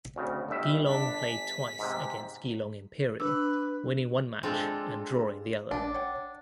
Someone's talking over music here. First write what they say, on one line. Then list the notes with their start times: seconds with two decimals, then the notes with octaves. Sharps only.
Geelong played twice against Geelong Imperial winning one match and drawing the other.
0.16 D2 C#3 C4
0.49 G1 G2 D#5 E5
0.88 D4 B6
1.19 G#5
1.79 G#2 C3
3.20 D4 B4 E6
4.43 G#3 C4 D4 F4 A4
5.71 A1 D4
5.94 C#5 F#5 G5